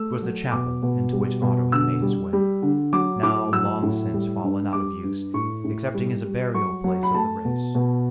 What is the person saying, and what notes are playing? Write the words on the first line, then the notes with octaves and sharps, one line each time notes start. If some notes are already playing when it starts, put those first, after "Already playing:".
It was the chapel into which Otto had made his way, now long since fallen out of use excepting as a burial place of the race.
Already playing: A3 E6
F#3
B2 D6
B2
G3
B2
D3 E6
G3
G3
D3
F#3 D6
A2 D6
F#3 E6
A2
G3
G2
G3 D6
G2
A2 C#6
A2
G3
G3
F#3 C#6
F#3
B5
A3 A5
B2
B2